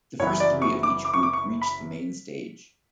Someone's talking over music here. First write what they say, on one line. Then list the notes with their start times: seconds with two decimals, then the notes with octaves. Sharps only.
The first three of each group reach the main stage.
0.19 F#1 F#2 E3 B3 E4 C#5
0.40 D5
0.62 C#6
0.83 D6
1.05 D6
1.14 C#6
1.23 D6
1.33 C#6
1.62 B5